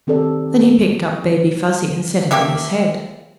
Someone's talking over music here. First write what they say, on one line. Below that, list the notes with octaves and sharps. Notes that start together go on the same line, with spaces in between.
Then he picked up Baby Fuzzy and set him on his head.
D#3 C4 G4 A4 D5
A#3 G4 A4 E5